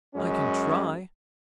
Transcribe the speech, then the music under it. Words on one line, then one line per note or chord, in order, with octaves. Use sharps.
"I can try."
F#2 G#3 C#4